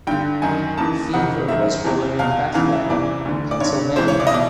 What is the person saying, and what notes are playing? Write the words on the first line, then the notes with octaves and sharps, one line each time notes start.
Feaver was born in Bethlehem, Pennsylvania.
G2 D3 G5
F#2 D#3 G#5
D#2 C#3 E3 A5
F2 C3 D#3 F#5
F#2 D#3 E5
E2 C3 E3
E2 B2 F5
E2 C#3 E3 F5
E5
E2 C3 E3 D5
D2 D3
D5
G2 D3 C#5
C#2 C3 E3 C5
C#5
D5
D#5
B2 D5